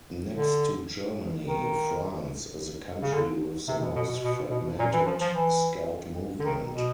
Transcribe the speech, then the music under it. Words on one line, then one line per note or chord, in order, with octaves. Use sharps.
Next to Germany, France is the country with the most fragmented Scout movement.
D3
D#3
C#3
D3
C3
B2
B2
B2
B2
B2
A#2
E3
F3
F3
E3
D3
D#3
B2